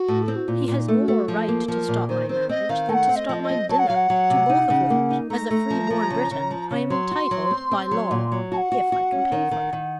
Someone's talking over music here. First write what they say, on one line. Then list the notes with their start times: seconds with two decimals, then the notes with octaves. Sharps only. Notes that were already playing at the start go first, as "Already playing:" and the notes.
He has no more right to stop my marriage than to stop my dinner, to both of which, as a free-born Briton, I am entitled by law, if I can pay for them.
Already playing: F#4
0.08 A2
0.22 A4
0.28 C4
0.35 F#4
0.48 A#2 F4
0.68 A#2
0.75 D#4
0.88 A3
1.01 F#4
1.08 A3
1.28 F3 A4
1.48 A#3
1.68 F3 A#4
1.88 A#2
2.09 D#3 C5
2.29 C4 C5
2.49 C4 D#5
2.69 D#3 F5
2.89 A3 A5
2.93 F#5
3.09 C4
3.15 D#5
3.29 F3
3.42 D#5
3.50 C4
3.69 F#3 A5
3.78 F#5
3.86 F#3 F5
3.95 F#5
4.10 F#3
4.30 C3
4.50 D#4
4.70 C#3
4.90 A#3
5.10 D#4
5.30 A3 A#5
5.51 A3
5.70 F3
5.90 F3
6.10 C#3
6.31 C#3
6.51 F3
6.71 C#3
6.90 F#3 C6
7.11 F#4
7.31 F#3
7.51 C4
7.72 C4
7.91 F#3
8.11 A#2
8.32 F#3
8.52 F#4 A5
8.57 F#5
8.72 F#4
8.92 F#4
9.12 C#4
9.32 D#3
9.51 D#3
9.73 D#3